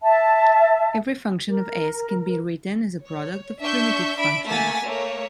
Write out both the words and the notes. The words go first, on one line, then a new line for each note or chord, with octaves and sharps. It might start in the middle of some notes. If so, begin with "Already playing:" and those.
Every function of "S" can be written as a product of primitive functions.
E5 A5
A#4
C#5
D4 E5 C#6 G6
D4 E5 B5 D7
A3 A#3 F#5 G#5 A6 B6
A3 A#3 C#5